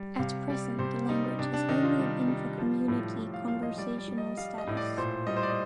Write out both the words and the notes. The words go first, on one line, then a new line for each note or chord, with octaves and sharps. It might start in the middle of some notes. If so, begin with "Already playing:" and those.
At present the language has only an intra community conversational status.
Already playing: G3
C3 F5
G3 D5
C3 C5
G3 D#4
C3 D4
D4
D#3 D#4
F4
G3
G3
F3
A2
A2
F5
F3 F5
D#5
G3 D5
D5
G3
D#5
G3 F5
D#5
A2
D5
A#2 C5
G3 D#5
C5
D5
D#5